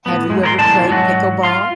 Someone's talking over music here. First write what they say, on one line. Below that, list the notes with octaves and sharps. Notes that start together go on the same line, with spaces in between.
Have you ever played pickleball?
A2 B3
G#2 G#3
A#4 C#5 C6
B1 A2 D#3 G#3 D5 A5
G#2 F#3 F#4
F4 F5 C6